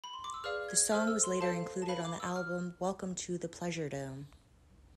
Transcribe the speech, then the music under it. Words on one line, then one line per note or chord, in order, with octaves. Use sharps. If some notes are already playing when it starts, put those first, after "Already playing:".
The song was later included on the album "Welcome to the Pleasuredome".
B5
C6
D6
E6
G#4 B4 D5 F5 F6
G#6
A4 C5 E5 F6
E6
C6
A4 C5 F5 A5
A5
B4 F5 B5
D6
E6
F6